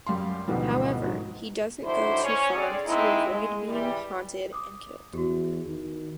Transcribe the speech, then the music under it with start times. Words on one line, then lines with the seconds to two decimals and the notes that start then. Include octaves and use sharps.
However, he doesn't go too far to avoid being haunted and killed.
0.07 F#2 G3 F5 C6
0.48 D2 G#2 B2 E3 F3 G3
1.03 G#2 E3 F#3
1.84 D#3 F#3 D4 E4 A4 C5
2.24 C#4 C#5
2.56 D3 C4 G#4 D5
2.86 G#3 A#3 C4 D#4 E4
3.28 G#3
3.69 E3 G3
4.53 D6 D#6
5.13 E2 F#4 G4
5.67 D#3